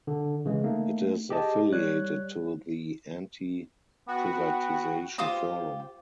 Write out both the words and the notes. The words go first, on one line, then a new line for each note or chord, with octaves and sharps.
It is affiliated to the Anti-Privatisation Forum.
D3
C#3 E3 G#3
A3 A#3 D#4
G4 G#4 D#5 A5
G3 C#5 F#6
B3 F#4 G5
F4 G4 C5 D#6